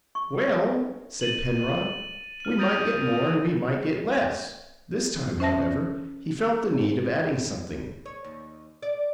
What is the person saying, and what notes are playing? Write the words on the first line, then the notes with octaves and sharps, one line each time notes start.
"Well," said Penrod, "we might get more and we might get less." This time, however, he felt the need of adding something.
C#6
A6 D#7 F#7
F6 D#7
D#6 G6 A6 A#6 D7 F7
C#4 C5 E5 A5 A#6
C#5
D#2
D5